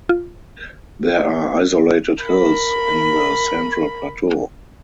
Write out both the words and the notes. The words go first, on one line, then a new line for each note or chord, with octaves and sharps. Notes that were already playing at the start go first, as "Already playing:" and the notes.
There are isolated hills in the central plateau.
F4
A#4 B5